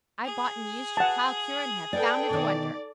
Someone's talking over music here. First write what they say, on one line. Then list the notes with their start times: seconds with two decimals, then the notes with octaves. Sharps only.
I bought and used your Pile Cure and have found it a wonder.
0.25 G#4
0.97 F#5 A5
1.93 A4 B4 D5 G5
2.30 B2 D#3 D5